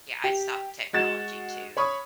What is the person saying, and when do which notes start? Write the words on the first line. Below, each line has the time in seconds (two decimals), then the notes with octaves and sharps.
Yeah, I stopped technology too,
0.24 G4
0.93 G#3 F#4 A6 E7
1.77 C#5 B5 C#6 D#6